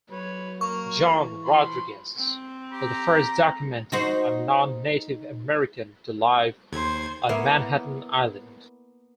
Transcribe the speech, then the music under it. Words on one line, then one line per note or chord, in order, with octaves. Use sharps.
Jan Rodrigues was the first documented non-Native American to live on Manhattan Island.
F#3 B4 C#5
A#3 C#6
E3
F3 B5 C6
C4
G4 A#5
D#4 F#4 C5
D#2 C5 C6 G#6
A#3 B3 E4 C#5 E5